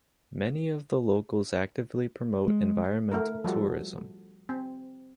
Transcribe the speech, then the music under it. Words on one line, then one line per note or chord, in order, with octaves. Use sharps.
Many of the locals actively promote environmental tourism.
G#3
A3 E4 A#4
F3 G3 F#4 A4
C4